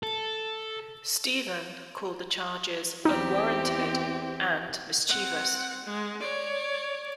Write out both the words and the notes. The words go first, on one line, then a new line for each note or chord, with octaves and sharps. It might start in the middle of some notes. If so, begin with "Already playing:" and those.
Stephen called the charges unwarranted and mischievous.
A4
E2 C4 D#4 E4 G4
C4 F#5
G#3
C#5 D5